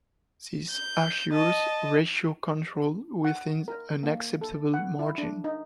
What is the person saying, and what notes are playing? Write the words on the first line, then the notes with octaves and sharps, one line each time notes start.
This assures ratio control within an acceptable margin.
G6
D#5 A5
F#5
A#4
A#3
A4
F#5
E4
D4
D#4